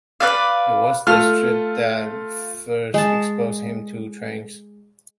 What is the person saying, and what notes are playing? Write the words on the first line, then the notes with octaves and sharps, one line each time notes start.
It was this trip that first exposed him to trains.
B4 D5 F5
A3 F4 A4 F6
G#3 A5